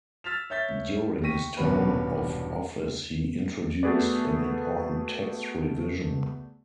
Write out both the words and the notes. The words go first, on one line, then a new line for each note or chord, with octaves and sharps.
During his term of office he introduced an important tax revision.
E6 F6 A6 B6 E7 F7
C#5 E5 G6 A6 B6
G5 C#6 A#6 B6 D#7
E1 C2 G2 B3 C#4 B4
A3 B3 F#4 G#4 B4 D5